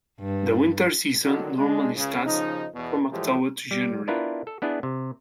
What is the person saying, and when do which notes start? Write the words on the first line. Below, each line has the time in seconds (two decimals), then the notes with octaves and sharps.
The winter season normally starts from October to January.
0.20 G2
1.24 D3 D#3 F#3
1.58 G#3 D4
1.96 C#2 C#3
2.25 D#2 C#3 F3 D#4
2.74 E2 B2
3.11 A2 E3 F3 G#3 A3 G4
3.71 G3
4.08 B3 D4 E4 F4 A#4 B4
4.47 A4
4.62 B3 D4 E4 G#4
4.83 C3